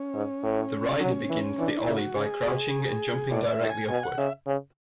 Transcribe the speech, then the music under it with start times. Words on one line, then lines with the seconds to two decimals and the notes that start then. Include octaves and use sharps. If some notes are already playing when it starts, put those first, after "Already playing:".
The rider begins the ollie by crouching and jumping directly upward.
Already playing: C#4
0.14 G#2
0.43 A2
1.00 F#3
1.30 E3
1.59 E3 D4
1.77 E4
1.87 C#3
1.96 F#4
2.16 C#3 G#4
2.45 B2
3.31 A2 D5
3.50 E5
3.60 A2
3.69 G#5
3.88 B2 G#5
4.03 F#5
4.18 C#3 E5
4.47 C#3